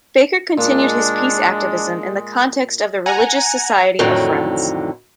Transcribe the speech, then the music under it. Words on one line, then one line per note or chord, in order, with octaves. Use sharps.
Baker continued his peace activism in the context of the Religious Society of Friends.
A#2 G#3 D4
F#5 G#5 A#5
F2 A2 D3 D#3 F#3